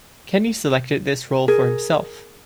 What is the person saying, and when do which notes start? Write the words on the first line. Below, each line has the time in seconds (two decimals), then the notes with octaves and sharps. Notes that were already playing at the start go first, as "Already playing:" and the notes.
Kenney selected this role for himself.
1.48 G#4 A#4